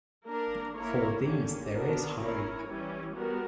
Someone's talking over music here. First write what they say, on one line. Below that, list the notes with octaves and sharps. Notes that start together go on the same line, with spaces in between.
For these there is hope.
A#3 D4 A#4
A#3 E4 A#4 C#5
D3 A#3 C#4 G4
B3 D4 F#4 A#4
C#4 E4 A#4 C#5
E3 G3 C#4
G3 B3 F#4 A#4